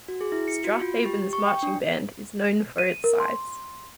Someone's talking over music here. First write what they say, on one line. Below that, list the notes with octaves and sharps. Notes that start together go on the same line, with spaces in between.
Strath Haven's marching band is known for its size.
F#4
G#4
E4
C#7
F#4
F4
G4
C#6
G5
D4
D#7
A#4
C6